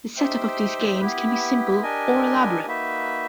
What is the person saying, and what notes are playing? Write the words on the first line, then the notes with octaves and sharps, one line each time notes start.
The setup of these games can be simple or elaborate.
D#4 G4 C5 E5 G5
B3 E4 G4 B4
D4 G4 A#4 D#5 G#5
A#3 D#4 F#4 B4 E5